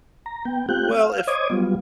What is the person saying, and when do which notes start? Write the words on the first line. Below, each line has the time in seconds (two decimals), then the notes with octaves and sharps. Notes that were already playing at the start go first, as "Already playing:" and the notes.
Well, if
0.26 A#5
0.45 B3 G5
0.69 A3 C4 F4 G4 F#6 G6
1.00 F5
1.27 C5 C#5 D#5 D6 D#6 G#6
1.50 F#3 G3 B3 F4